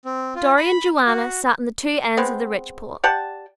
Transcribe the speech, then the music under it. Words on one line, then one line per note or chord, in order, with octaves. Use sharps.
Dorry and Joanna sat on the two ends of the ridge-pole.
C4
F4
B5
F#4
G#3 B3 C4
G4 D5 F#5 A5